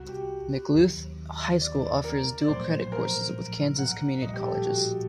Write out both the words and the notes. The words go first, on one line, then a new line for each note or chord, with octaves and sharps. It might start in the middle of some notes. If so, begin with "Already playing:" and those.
McLouth High School offers dual credit courses with Kansas community colleges.
Already playing: C2 C3 G3 F#4
G4
D#2 D#3 F#3
D5
D5
A#4
D5
A#1 A2 F#3 A#3 C5
C5
A#4
F#5
A#1 A2 G3 D#5
G4
A4
G4
F#4